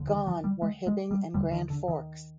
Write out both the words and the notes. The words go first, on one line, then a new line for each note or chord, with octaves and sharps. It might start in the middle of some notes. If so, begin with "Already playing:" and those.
Gone were Hibbing and Grand Forks.
Already playing: D#2 D3
D#3
F3
G3
G#3
G#3
G3
D#2 D3 G3
D#3
D3
D#3